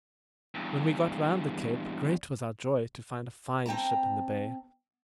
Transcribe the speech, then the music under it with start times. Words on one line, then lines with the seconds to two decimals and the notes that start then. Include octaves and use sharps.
When we got round the cape, great was our joy to find a fine ship in the bay.
0.55 E2 G2
3.66 C4 G5 A5 A#5